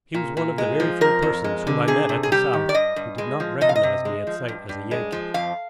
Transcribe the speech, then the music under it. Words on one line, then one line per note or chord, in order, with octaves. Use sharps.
He was one of the very few persons whom I met at the South who did not recognize me at sight as a Yankee.
A#2
A#2
G#3
F3
F2 A#4
F2
G#3
D3
C3 G#4
C3
G#4
G3 G4
D#3
D5
G2 D#5
G2
G#3
F3
C3 D#5
F5
D#5
C3
G#3
F3
G2
G2
G#3
F3
F2 F5